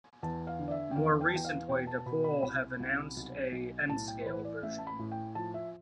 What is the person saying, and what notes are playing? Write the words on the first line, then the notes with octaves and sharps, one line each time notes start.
More recently, Dapol have announced a N Scale version.
E2 A5
F5
D3
D5
E5
G5
E2 F5
G5
A5
E2 G5
F5
B2 G5
A5
A5
B2 B5
B5
C2 B5
C2
B1
B1
A2 A5
G5
C5
E3 B4
D5
A1 E5
A5
B5
A2
G5
F3 A5
E5